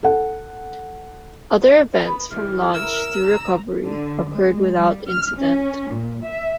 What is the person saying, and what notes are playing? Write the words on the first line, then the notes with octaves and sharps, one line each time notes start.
Other events from launch through recovery occurred without incident.
A4 F#5
B3 B4
C3 D#3 E3 G3 F6
C#3 E4 A#4 E6
G#2 C#3 A#5
D3
G#3
G3
F6
C#4
A#2
E5